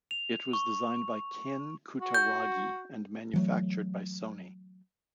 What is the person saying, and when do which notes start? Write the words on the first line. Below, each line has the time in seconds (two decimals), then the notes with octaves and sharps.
It was designed by Ken Kutaragi and manufactured by Sony.
0.11 F7
0.53 C#6
2.01 F#4
2.14 G6
3.34 E3 F#3 A3